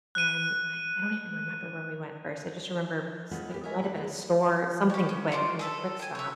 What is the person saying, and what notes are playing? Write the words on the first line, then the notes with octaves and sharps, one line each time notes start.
and I I don't even remember where we went first, I just remember s it might have been a store, something quick, it was a quick stop,
F#6 D#7
G#3 B3 F4 A4 C#5 F#5
B3 G4
A#4 C#5 D#5 E5 G#5 A#5
B4 D5 F#5
G#3 A3 B3 G#4 A4
G4 C#5
C#4
F4 C5 D6
G#4 A4 B4
G5 G#5
C#5 E5